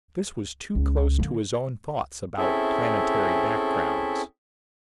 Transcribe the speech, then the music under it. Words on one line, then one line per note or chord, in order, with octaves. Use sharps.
This was too close to his own thoughts about planetary backgrounds.
C#2
D3 A#3
C4 C#4 E4 G#4 A4 E5